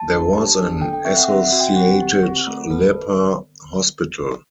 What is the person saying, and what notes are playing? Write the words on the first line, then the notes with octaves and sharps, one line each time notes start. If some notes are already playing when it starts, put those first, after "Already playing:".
There was an associated leper hospital.
Already playing: A5
D4
G4
D4
A4 G5
G5
C4 E5
F#5
C4 E5
F#5
F#4
G5
C4 F#5
G4
C4
A3
A4 B4